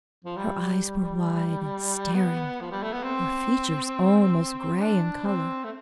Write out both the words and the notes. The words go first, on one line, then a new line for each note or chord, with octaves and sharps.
Her eyes were wide and staring, her features almost gray in color.
F3
G3
B3
F3
G3
A3
B3
C4
D4
C4
A3